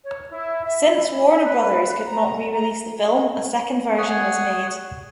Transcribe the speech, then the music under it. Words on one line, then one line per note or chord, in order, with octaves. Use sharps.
Since Warner Brothers could not re-release the film, a second version was made.
C#5
E4
E5
B5
E5
B4
A#5
A#5
G#4 C#5 F#5 G#5